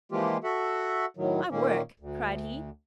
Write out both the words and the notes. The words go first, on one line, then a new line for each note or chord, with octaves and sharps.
"I work!" cried he.
E3 F3 G#3 A#3 F4 G4
F#4 A4 E5 F#5
A2 D#3 F#3
A#2 D#3 A#3 C#4
D2